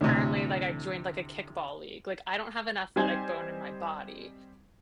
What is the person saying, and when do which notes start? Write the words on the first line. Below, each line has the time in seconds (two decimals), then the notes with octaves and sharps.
currently, like, I joined, like, a kickball league, like, I don't have an athletic bone in my body,
0.01 D2 A2 C3
2.96 G3 C4 D#4 C5 G#5 G#6